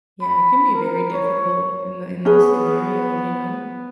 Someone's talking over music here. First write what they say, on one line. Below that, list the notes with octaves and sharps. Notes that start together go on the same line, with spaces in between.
Yeah, it can be very difficult in the in those scenarios, you know,
B5
A#4
C#5
B3 C#4 G#4 B4